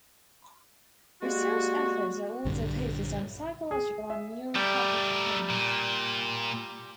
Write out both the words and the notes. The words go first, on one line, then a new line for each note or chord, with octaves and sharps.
Research efforts are also focused on physiological and neuropathic pain.
G3 G#3 A#3 F#4
A#1 G2 D3
G#4
E5
G3 A3 A#4
A#2